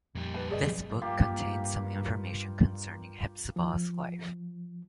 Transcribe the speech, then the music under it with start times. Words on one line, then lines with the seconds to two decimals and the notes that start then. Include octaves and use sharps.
This book contains some information concerning Hephzibah's life.
0.15 F2 A#2 G3
0.34 B4 A5
0.51 F#1 G#4 D5 D#5
0.67 F3 F#3 C4
1.02 G2 A#3 F4 G4
3.56 F3